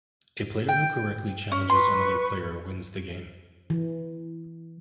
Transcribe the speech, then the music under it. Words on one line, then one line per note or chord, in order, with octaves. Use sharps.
A player who correctly challenges another player wins the game.
G5
C#4
B4 C6 C#6
E3